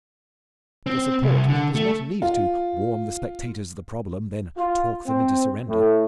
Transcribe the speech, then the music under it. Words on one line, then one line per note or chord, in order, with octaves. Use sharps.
The support does not need to warm the spectators to the problem, then talk them into surrender.
C4
C2
D3
A3
F4
F4
C4
A2